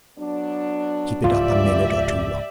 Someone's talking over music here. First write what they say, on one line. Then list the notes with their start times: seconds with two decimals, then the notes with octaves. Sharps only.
Keep it up a minute or two longer.
0.18 F#3 B3 D4
1.24 C#2 G#2 E3 F3 F4 G4 D5 E5